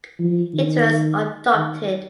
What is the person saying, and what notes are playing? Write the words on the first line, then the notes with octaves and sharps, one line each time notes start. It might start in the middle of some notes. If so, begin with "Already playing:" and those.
It was adopted.
F3
D#3
D#3